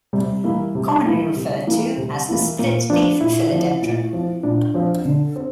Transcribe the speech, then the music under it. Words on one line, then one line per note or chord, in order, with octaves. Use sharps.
Commonly referred to as the Split Leaf Philodendron.
C3 G3
E3 A#3 E4
C3
E3 A#3 E4
C3
E3 A#3 E4
C3
E3 A#3 E4
A#2 A#3
F3 C4 D4
A#2 E4
F3 C4
A#2
F3 C4
A#2 D4
F3 C4
D3
C4